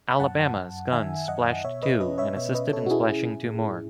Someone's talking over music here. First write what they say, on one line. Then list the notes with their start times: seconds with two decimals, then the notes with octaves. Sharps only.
"Alabama"s guns splashed two, and assisted in splashing two more.
0.10 B5
0.20 F#2 F#5 A5
0.57 F#2
0.92 D#3 E5 G#5
1.28 F#2 D#5 F#5
1.64 B2 C#5 E5
1.83 B4 D#5
2.00 C#4 B4 D#5
2.18 C#5 E5
2.36 B2 C#5 E5
2.54 B4 D#5
2.73 B2 A4 C#5
2.86 F#4
2.91 E4 G#4
3.08 C#4 E4 G#4
3.45 A2